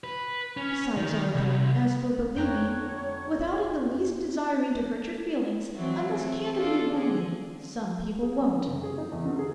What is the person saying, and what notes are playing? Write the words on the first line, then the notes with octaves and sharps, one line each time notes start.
Besides, Arthur, as for believing--without in the least desiring to hurt your feelings--I must candidly warn you, some people won't.'
B4
C#4
D#3
C2
F2 D3 C#5 G5 A#5 F#6
E3 F#3 C4
A3 C4
D4 F4 A4
D3 C4 G#4
G#4
A#5
D3
F#1
G#4
D#4
E2
D3
G#4